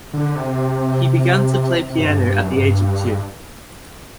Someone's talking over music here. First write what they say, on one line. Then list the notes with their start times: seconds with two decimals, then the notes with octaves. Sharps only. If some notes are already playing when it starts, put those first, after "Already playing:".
He began to play piano at the age of two.
0.13 D3
0.36 C3
1.90 C3
1.99 F#2
2.06 G2
2.23 G2
2.40 F#2
2.52 F#2
2.56 G2